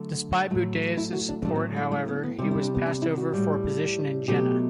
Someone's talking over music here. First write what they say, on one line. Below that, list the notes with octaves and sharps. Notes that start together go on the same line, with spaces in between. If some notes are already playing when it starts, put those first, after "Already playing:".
Despite Buddeus's support, however, he was passed over for a position in Jena.
Already playing: D3 F#3 A3
A2 F#3 A3
E4
F#4
D4
A2 F#3 A3 D4
B3
C4
A3
A3
B3
B3
C3 G3 C4
E4
D4
B3
D4
E4
F#4
A2 G3
B2 F#3 A3 G4